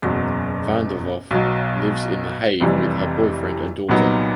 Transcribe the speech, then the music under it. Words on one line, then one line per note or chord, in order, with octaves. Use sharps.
Van der Werf lives in The Hague with her boyfriend and daughter.
F#1 E2 B2 F#3
B1 B2 F#3
F1 F2 C3 E3 G3
C2 A#2 F#3 B3 D#4